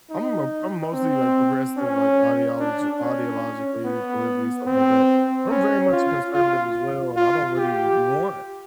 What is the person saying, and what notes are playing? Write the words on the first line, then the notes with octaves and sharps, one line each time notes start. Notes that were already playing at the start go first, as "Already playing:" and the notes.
I'm m I'm mostly, like, progressive, like, ideolog ideologically, politically, stuff like that, but I'm very much a conservative as well and I don't really want,
D#4
C4
C#4
D4
C#4
B3
C4
C#4
F4
F4
F4
G4